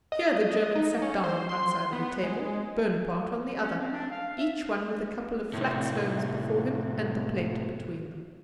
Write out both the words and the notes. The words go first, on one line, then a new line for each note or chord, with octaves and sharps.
Here the German sat down on one side of the table, Bonaparte on the other; each one with a couple of flat stones before him, and the plate between them.
D#5
D#4
C#4
C5
C6
B3
G#3
C#4
C4
D4
F5
E5
A2 C3